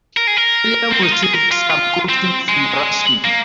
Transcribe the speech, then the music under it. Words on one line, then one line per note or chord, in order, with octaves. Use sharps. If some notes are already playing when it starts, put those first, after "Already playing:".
William received some coaching from Ruskin.
A#4
G#4
A#4
C4
D#4
F4
G#4
A#4
F4
F4
C4
G#3
A#3